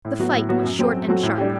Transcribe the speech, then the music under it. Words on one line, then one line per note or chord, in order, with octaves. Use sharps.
The fight was short and sharp.
A2
F#3 B3 F#4
A2
F#3 B3 F#4
F#2
F#3 C4 F#4 A4
F#2
F#3 C4 F#4 A4
A2
G3 D4 G4